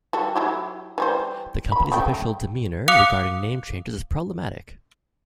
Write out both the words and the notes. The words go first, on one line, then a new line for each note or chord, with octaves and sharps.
The company's official demeanour regarding name changes is problematic.
G3 F#4 A4
F#3 E4 G4
E3 G3 C5
B5
C#3 A3 G5
F5 D6 D#6 F#6 C#7 F7